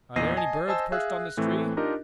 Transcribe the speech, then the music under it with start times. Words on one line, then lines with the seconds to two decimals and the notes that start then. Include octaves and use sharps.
Are there any birds perched on this tree?
0.16 E2 A#2 D#5 A#6 C7 D#7
0.37 D#5 G#5 A5
0.68 C5 D#5 G#5 A5 E6
0.92 G#4 E5 F5 E6 F#6
1.37 A2 E3 A3 C4
1.77 D4 D#4 F4 G4 A#4 D#5